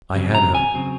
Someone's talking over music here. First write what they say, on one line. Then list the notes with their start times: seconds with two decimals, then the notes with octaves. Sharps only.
I had her!
0.15 F2 C#3 F#3 C4
0.35 A#5
0.55 G#5
0.74 C#3 F#3 C4